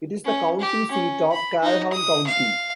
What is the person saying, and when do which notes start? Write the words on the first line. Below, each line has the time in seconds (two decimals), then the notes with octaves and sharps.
It is the county seat of Calhoun County.
0.24 C#4
0.60 G4
0.91 C#4
1.32 B5
1.62 D#4
1.93 D#6
2.27 F5